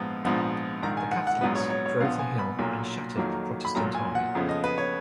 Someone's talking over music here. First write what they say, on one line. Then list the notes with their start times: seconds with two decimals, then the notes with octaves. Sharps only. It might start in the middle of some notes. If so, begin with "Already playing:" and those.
The Catholics drove the hill and shattered the Protestant army.
Already playing: A#1 G#2 F3 B3
0.25 A#1 G#2 F3 B3
0.83 A#1 G#2 D#3 A#5
0.97 G#5
1.11 F#5
1.27 F#5
1.41 A#1 G#2 F#3 B3 B4
1.55 C#5
1.70 C#5
1.86 C#5
2.00 A#1 A#2 F3 B3 F5
2.19 G#5
2.39 B5
2.59 B1 A#2 F#3 A#3
3.17 F2 D#3 F#3 A#3
3.65 B5
3.75 B1 A#2 F#3 A#5
3.95 G#5
4.15 F#5
4.35 F2 C#3 F3 B3
4.49 D#5
4.64 B4
4.78 C#5